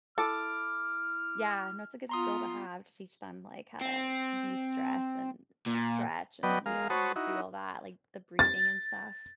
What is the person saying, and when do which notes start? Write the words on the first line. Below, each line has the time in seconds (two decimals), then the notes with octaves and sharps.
Yeah. No, it's a good skill to have to teach them, like, how to destress and stretch and, you know, just do all that, like, the breathing and stuff.
0.18 E4 A4 D6 F6 D7
2.09 B3 F4 A#5 C6 D#6
3.81 C4
5.66 A#2
6.43 F#3 B3 B4 D5 D#5 G5
6.66 G#3 A#4 F5
6.90 F#4 C5 C#5 A5 B5 D#6
7.16 D#4 E4 F#4
8.39 A6